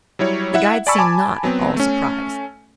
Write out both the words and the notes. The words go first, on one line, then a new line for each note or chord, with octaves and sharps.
The guide seemed not at all surprised.
F#3 G3 E4 C#5
E4 E5 F#5
D5 G#5 A5 B5 C#6 E6
G#5 A5 B5 D6
F#3 B3 C4
A3 C#4